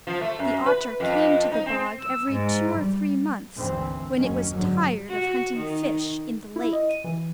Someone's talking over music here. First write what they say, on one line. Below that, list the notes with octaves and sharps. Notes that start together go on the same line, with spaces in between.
The otter came to the bog every two or three months, when it was tired of hunting fish in the lake.
F3
A3
F#2
B4
F2
D#4
C4
E6
G#2
G3
G#1 D2 E3 C4
F#1 D#2 D#3 F#3 C#4
G#2 D3 F#3
F#4
D#3
E4
D#5
D#7
E3